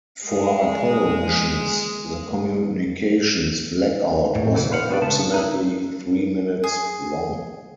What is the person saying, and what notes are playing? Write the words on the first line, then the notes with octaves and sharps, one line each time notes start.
For Apollo missions, the communications blackout was approximately three minutes long.
G#3 G#4
A2
A#2 C#3 E3 F#3 A3
B4 C5 F5 F#5
G3 B3 F#4 D5
C#3 G#3 A3 B3 A5
D#4 E4
G#4